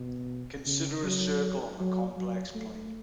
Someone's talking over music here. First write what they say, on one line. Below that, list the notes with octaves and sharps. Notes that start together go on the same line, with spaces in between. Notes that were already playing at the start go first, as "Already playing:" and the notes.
Consider a circle on the complex plane.
Already playing: B2
C#3
F#3
F#3
F#3
A3